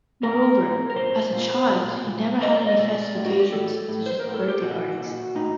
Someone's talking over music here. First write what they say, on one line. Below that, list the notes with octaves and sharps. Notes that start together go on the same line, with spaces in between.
Moreover, as a child, he never had any festive occasions, such as birthday parties.
A2 A#4
A2
A#4
A#2 C5
A#2
A#2
A#2
A#2 D#5
D5
D#5
A#2 D5
A2
F#4
G4
A2 A4
A2
C5
A#4
A2
A4
G4
A#2 F#4
A#2
A2 D#4